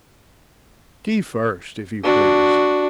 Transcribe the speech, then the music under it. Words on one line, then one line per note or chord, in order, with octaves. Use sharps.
Tea first, if you please!
D4 F#4